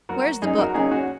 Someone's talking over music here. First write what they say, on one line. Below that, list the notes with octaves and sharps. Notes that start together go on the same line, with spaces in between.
Where's the book?'
F#3 F#4 A#4
F#2 D#4 G#4
F#4 A#4
C#3 F#3 D#4 G#4
C#4 F#4